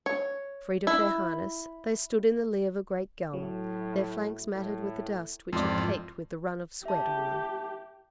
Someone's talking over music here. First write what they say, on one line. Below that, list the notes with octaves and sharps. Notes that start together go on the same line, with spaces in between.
Freed of their harness, they stood in the lee of a great gum, their flanks matted with the dust which had caked with the run of sweat on them.
C#5
E4
A2 F#3
A2
A1 F2 G#2 F4 D5
G4 E5 A5